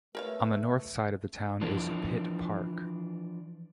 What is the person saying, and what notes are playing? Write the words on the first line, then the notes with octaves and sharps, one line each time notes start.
On the north side of the town is Pitt Park.
A3 A#4 B4 C#5 F5
E3 F3 D4